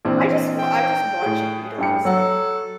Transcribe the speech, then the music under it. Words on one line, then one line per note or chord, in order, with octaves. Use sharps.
I just wa I just watch and read a lot of stuff.
A#1 E3 C4
G5
A2 G#4
G2 G5 C#7
F#3 A4 C#5 F#5